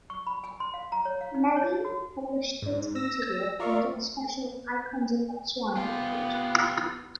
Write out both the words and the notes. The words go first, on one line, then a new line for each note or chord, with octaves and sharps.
Mmegi published its interview under a special "Icons of Botswana" feature.
C#6
B5
G#5
C6
F5
A#5
C#5
F5
D#4
C#5
F#4
G#2
E6 A#6
F4 A#4 D5 E5 F5 C#6
B3 F4 G4